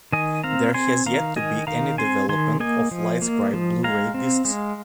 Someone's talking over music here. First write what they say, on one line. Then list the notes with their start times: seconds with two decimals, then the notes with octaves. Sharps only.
There has yet to be any development of LightScribe Blu-ray discs.
0.12 D#3 D#5 G#5
0.44 C4 F5 A#5
0.74 C4 G#5 C6
1.06 D#3 F5 A#5
1.36 D#3 D#5 G#5
1.67 D#3 F5 A#5
1.98 C4 G#5 C6
2.29 D#3 G#5 C6
2.60 A#3 D#5 G#5
2.91 F3
3.22 A#3
3.53 F3
3.84 G#3 F5 A#5
4.14 C4
4.45 G#3